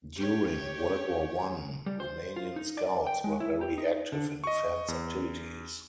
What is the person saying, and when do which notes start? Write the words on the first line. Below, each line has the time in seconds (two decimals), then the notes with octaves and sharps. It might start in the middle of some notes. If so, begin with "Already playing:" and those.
During World War One, Romanian Scouts were very active in defense activities.
0.16 G4 C#5
1.86 G3
2.00 C5
2.36 F4
2.56 D#4
2.77 D5
3.07 G5
3.24 G#3
3.40 E4
3.61 G4
3.78 D#4
4.12 D3
4.44 D#5 C#6
4.88 E2